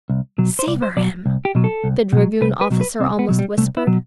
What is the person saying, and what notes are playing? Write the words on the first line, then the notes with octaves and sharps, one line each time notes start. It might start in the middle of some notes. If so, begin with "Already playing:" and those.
"Saber him!" the dragoon officer almost whispered.
C2
B2 F#3
C5
C2 D5
C5
B2 F#3 D5
C2
G4
B2 F#3
A4
C2
B2 F#3
C2 B4
B4
B2 F#3
B4
C2 C4
B3
B2 F#3
G3
C2 A3
E4
B2 F#3